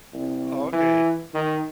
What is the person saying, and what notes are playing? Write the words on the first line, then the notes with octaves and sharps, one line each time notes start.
Oh, okay.
C2
E3
D#3